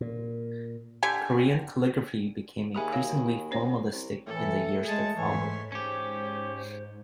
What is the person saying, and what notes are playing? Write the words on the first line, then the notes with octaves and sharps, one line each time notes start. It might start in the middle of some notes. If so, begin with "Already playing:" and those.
Korean calligraphy became increasingly formalistic in the years that followed.
A#2
D3 G4 G5 G#5
D#2 G4 G#4 E5 G#5 B5 D#6
F#4 C#5 F5
C#4 C5 C#5
C2
A2 E3 A4 C#7
G#3 G#4 A5
G#2 E3 C#5 C6 B6
G#2 C#4 G4 C5